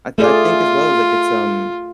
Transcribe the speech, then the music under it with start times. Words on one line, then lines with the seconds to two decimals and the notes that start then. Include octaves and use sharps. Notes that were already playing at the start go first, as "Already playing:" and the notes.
I I think as well, like, it's, um
0.18 A3 F4 G#4 D5